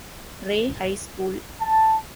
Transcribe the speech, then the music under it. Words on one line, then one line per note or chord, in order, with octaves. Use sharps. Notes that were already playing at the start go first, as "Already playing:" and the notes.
Ray High School.
A5